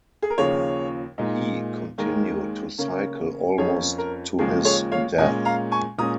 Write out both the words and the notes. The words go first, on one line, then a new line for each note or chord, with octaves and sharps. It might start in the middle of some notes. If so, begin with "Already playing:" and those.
He continued to cycle almost to his death.
G#4
A#4
D#2 C#3 F3 G#4 C#5
A#2 G#3 D#4
D#2 D#3 G#3 A#4
C#3 A#3 C#4
F2 F3 A#3 C#4 G#4 C#5
A#4
D#2 C#3 F3 G#3 G#4
G#4 C#5
C#5 F5
A#2 G#3 C#4 D#5 G#5
F5 A#5
G#5 C#6
A#2 G#3 C#4 A#5 D#6